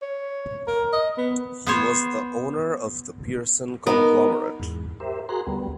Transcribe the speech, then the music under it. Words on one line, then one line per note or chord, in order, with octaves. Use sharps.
He was the owner of the Pearson conglomerate.
C#5
A#4
D#5
B3
B3 C5 C#5
B3 D#4 A#4
E2 G#2
G4 A#4 C5 E5
F#4 G#4 A#4 A#5 C6 F#6
D2 G3 B3